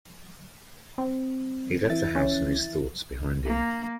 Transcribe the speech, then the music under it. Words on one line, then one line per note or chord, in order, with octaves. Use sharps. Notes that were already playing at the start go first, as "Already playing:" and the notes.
He left the house and his thoughts behind him.
C4
E3 E5 A6
C#4
A#3